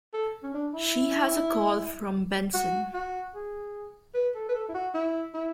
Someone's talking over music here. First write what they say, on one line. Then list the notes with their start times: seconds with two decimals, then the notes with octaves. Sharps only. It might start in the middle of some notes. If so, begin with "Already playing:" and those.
She has a call from Benson.
0.14 A4
0.43 C#4
0.54 D4
0.74 E4
2.54 F#4
2.94 F#4
3.35 G#4
4.14 B4
4.35 A4
4.49 B4
4.55 A4
4.69 E4
4.74 F#4
4.94 E4
5.34 E4